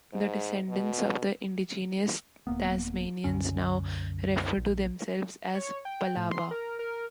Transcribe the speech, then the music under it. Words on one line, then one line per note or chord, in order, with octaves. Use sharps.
The descendants of the indigenous Tasmanians now refer to themselves as 'Palawa'.
G#2
B2
D#1 A#3 B3
C2 F#2 D3 C#4
A#1
C#5
G5
A2
C6
A#4
A#4